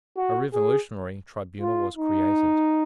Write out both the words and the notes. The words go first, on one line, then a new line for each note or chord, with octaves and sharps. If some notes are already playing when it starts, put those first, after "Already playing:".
A revolutionary tribunal was created.
F#4
G#4
F4
D#4